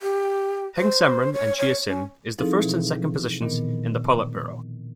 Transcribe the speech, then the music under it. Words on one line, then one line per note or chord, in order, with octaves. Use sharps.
Heng Samrin and Chea Sim is the first and second positions in the Politburo.
G4
C5
C#5
C#5
C#4
F3 C4 D#4 E4 G#4 A4
B2 E3
A#2 D#3 B3 A#4